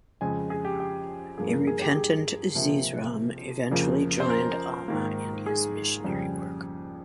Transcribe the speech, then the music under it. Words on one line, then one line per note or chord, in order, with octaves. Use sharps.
A repentant Zeezrom eventually joined Alma in his missionary work.
F2 C#3 G#3 G#5
G#4
G4
G4
G2 F3 A#3 G#4
A#4
G#4
G4
G#4
C3 F3 A#3
F2 C#3 F3 A#3
C5
A#4
G#2 D#3 A#3
G#4
F2 C#3 G3